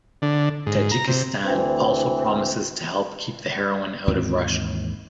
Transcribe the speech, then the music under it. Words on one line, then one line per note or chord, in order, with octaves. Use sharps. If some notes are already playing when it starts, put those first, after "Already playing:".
Tajikistan also promises to help keep the heroin out of Russia.
D3
G#2
A#5
C3
D2 E3 C4
D#2 G#2 E3 C4